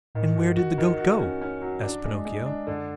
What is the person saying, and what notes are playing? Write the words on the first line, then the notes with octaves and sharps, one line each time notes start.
"And where did the Goat go?" asked Pinocchio.
A2 D#3
G2 F#4
F2 F#4
F#2 D#3
F2 F#4
C#4
C#4
F#3
D4
G#3
G#3
D4
F#2 D3